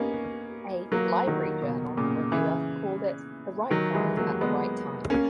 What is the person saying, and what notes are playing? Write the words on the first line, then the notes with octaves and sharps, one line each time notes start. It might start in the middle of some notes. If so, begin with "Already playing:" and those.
A "Library Journal" reviewer called it "The right guide at the right time".
Already playing: A#3 B3 C#4 D#4
F#3 A#3
D#3 F#3
B2
A#2 C#3
C#3 E3
D#3 F#3
E3 G#3
F#3 A#3
G#3 B3
A#3 C#4